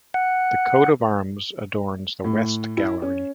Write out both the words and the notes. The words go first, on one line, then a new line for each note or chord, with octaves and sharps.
The Coat of Arms adorns the West Gallery.
F#5
A2
E4
C#4